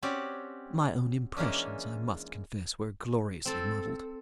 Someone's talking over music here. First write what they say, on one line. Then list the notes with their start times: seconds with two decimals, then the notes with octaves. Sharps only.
My own impressions, I must confess, were gloriously muddled.
0.03 C4 C#4 F#4 G4 C#5 D5
1.37 E3 G#3 A#3 C#4 D4
3.45 C4 A4